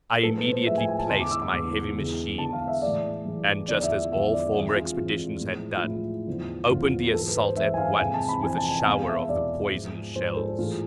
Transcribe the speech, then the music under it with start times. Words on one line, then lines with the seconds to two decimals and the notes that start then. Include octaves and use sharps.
I immediately placed my heavy machines, and just as all former expeditions had done, opened the assault at once with a shower of the poison shells.
0.23 A2 F3 G#3 A4
0.38 B4
0.52 C5
0.67 A2 F3 G#3 E5
0.78 G#5
0.88 G#5
0.99 A5
1.09 E2 D3 G#3 C6
1.20 D6
1.31 E6
1.42 D6
1.53 E2 D3 G#3
1.95 E2 D3 G#3
2.38 E2 D3 G#3 A5
2.53 F5
2.68 E5
2.82 A2 E3 G#3 D5
3.25 A2 E3 G#3
3.68 E2 D3 F3 G#3 D5
3.79 D5
3.83 E5
4.11 E2 D3 F3 G#3 E5
4.33 D5
4.54 F2 E3 G#3 G#4
4.76 F4
4.97 F2 E3 G#3 F4
5.41 A2 F3 G#3
5.78 F4
5.84 A2 F3 G#3 E4
6.27 E2 D3 F3
6.70 E2 D3 F3 F4
7.14 G#2 E3 G#3 A4
7.28 B4
7.42 C5
7.56 G#2 E3 G#3 E5
7.74 G#5
7.78 F5
7.99 F2 C3 E3 G#3 G#5
8.14 A5
8.29 B5
8.42 F2 C3 E3 G#3 G#5
8.57 A5
8.71 G#5
8.86 E2 B2 G#3 F5
9.08 E5
9.29 E2 B2 G#3 D5
9.72 G#2 F3 G#3
10.15 G#2 F3 G#3 C5
10.37 A4
10.59 A2 E3 G#3 F4